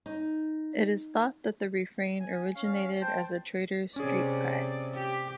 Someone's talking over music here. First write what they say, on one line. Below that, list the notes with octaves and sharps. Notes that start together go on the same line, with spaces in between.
It is thought that the refrain originated as a trader's street cry.
D#4
G#5
C#4 F5
C5 G5 A5
C3 C#4 G#4 D5
G4